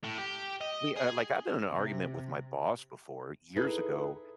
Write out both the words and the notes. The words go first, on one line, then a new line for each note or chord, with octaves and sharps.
We like, uh I've been in an argument with my boss before, years ago.
A2
G4
D#5
G#4
C3
D#4 E4 G#4 A4 B4